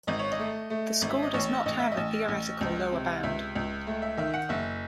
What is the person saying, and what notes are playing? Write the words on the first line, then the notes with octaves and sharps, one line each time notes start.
The score does not have a theoretical lower bound.
G#1 D#5
C#5
D#5
A3
A3
G#1
E5
D#5
A1 C#5
A1 D#5
E5
D#5
A1
A1
C#2
C3
C#2 E5
C#2
A3
E5
D#3 E5
F#5
F#1 E5